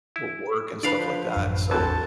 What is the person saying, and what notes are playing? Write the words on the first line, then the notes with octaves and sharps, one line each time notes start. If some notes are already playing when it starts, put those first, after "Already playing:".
w work and stuff like that, so,
E4
D3 D4 B4 D5 F5 B5
F3
A1 F#2
A1 E2 E3 C4 D4 F#4 A4 A5